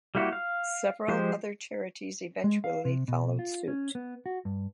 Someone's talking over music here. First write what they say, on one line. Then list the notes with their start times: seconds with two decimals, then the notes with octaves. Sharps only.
Several other charities eventually followed suit.
0.15 G3 A#3 E4 F#4 G4
0.33 F5
1.08 F3 G#3 G4 C5
2.44 G#3
2.64 F5
2.85 C3
3.08 B2
3.39 F4
3.68 C#4
3.95 B3
4.26 F#4
4.45 G2